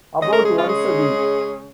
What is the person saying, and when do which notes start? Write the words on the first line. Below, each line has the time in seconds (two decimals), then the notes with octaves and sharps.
About once a week.
0.21 C#3 G#3 C#4 D#5
0.33 A#4
0.45 G#4
0.57 F4
0.69 G#4